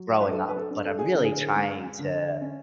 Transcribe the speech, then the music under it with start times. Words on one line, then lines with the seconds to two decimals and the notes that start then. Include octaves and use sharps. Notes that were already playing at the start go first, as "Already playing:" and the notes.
growing up, but I'm really trying to
Already playing: F#3
0.20 B4
0.28 D4 A4
0.48 B4
0.57 A4
0.71 D4
0.85 A4
0.99 G#4
1.14 D3
1.24 G#4
1.56 G#3
1.99 D3
2.41 C#4